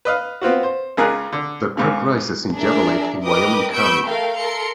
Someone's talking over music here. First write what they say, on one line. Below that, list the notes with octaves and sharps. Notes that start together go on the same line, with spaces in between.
The creek rises in Java Lake in Wyoming County.
B4 D#5 F5
B3 C4 F4 F#4
C5
C#2 C#3 D#4 G#4 A#4 F#6
D3
C#2 G#2 C#3
D4 G#4 A#4 D5 E5
A#4 B4 D#5 G5 D6 D#6
B3 B5 C#6 E6 G6 D7
A3 A4 A#4 F5 G5
A4 A#4 C6 C#7